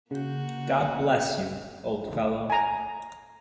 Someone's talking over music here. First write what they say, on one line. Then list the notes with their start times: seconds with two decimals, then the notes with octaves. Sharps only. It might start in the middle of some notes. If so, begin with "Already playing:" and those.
God bless you, old fellow!
0.11 C#3 A#3 F#4 G6
2.50 G#5 A#5